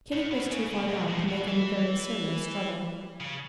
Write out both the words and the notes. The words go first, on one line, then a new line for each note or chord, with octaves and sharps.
Kitty was too far gone to make any very serious struggle.
A2
B2
C#3
C#3
B2
A2
B2
E3
C#3